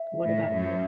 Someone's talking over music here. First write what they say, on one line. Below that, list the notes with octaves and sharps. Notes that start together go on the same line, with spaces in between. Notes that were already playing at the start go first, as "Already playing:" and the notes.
what about you?
Already playing: E5
A2
F#2